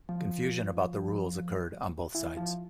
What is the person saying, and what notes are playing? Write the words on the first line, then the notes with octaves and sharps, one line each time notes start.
Confusion about the rules occurred on both sides.
F3
E3
F3